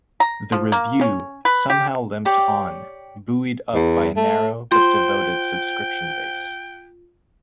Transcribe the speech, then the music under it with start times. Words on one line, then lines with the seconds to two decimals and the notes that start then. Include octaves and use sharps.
The "Review" somehow limped on, buoyed up by a narrow but devoted subscription base.
0.20 A#5
0.52 F3
0.72 A#3
1.01 C#4
1.45 B4
1.70 G4
2.25 G4 C#5 D5 G5
3.74 E2
4.16 A3
4.71 F4 C5 G5